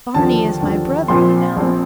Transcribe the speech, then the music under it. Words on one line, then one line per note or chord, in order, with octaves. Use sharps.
"Barney is my brother, you know."
D#2 D3 F3 A5
D#2 D3 F3
A#1 A#2 F3 C4 C6
A#1 A#2 F3 C4